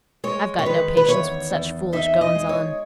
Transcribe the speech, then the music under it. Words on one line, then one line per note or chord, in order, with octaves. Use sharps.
"I've got no patience with such foolish goin's-on."
G#3 C#5
C#5
D#3 B4
B4
E2 C#5
E2
D#4 E5
D#5
G#3
C#5